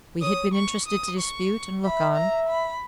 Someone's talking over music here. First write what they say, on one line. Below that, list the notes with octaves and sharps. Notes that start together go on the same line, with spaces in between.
We had been interested to dispute and look on.
C#5 D#6
C#6
D#6
C#6
E5 B5
A#5
B5